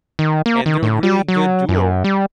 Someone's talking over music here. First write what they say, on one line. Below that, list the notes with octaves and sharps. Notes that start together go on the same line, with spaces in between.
and they're a really good duo,
D#3
A#3
D#3
A2
G3
F#3
F#2
G3